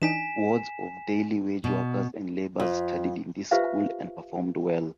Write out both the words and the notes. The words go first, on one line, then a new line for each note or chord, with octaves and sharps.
Wards of daily wage workers and labours studied in this school and performed well.
E3 D4 D#4 G#5 B6 E7
B2
F2
F4 G4 B4 C5 E5 F5